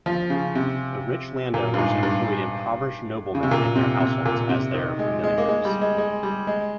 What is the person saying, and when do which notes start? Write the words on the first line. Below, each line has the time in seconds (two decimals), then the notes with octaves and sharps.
The rich landowners employed impoverished noblemen in their households as their "familiares".
0.06 F3
0.30 C#3
0.56 C3
1.54 A#2
1.74 G2
1.78 G#2
2.03 G2
3.35 C#3
3.43 C3
3.51 A#2
3.76 C3
4.00 C3
4.25 A#2
4.49 C3
4.74 D#3
4.99 G#3
5.23 G#3
5.38 A#3
5.49 G#3
5.65 G3
5.81 G#3
5.98 G#3
6.23 G3
6.47 G#3